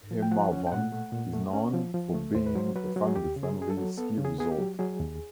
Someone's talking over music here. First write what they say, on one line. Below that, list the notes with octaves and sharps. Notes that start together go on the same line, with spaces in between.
Hemavan is known for being a family-friendly ski resort.
F3
G5
F3 F#5
C#4
G5
A#2 F#5
A3
A#2
A3
C#4
F3
F3
A3
D#2 C5
B4
F#3 C5
F#3 B4
F#3
G#4
D#2 G4
C#3
G#4
F#3
G#4
A4
F#3
B3 A4
C#3
G#4
B3 G#4
G4
F#3
F#3 G#4
D#2